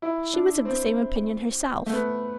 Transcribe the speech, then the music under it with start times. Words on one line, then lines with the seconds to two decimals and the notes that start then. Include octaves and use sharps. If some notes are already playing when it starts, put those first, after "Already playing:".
She was of the same opinion herself.
0.02 E4
0.34 D4
0.65 C4
1.86 A3
1.93 B3